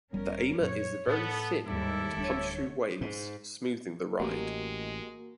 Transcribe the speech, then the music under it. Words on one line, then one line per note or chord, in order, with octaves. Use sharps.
The ama is very thin, to punch through waves, smoothing the ride.
F1 G3 B3 C#4 A#4
F#2 A#2 F#3 C#5
A2 B3 A4
D#2 G#2 G3 E4 G4 A4
D1 D3 G3 A3 D4 C#5
G#2
A1 G#3 A#3 F#4 G4 A#4 D#5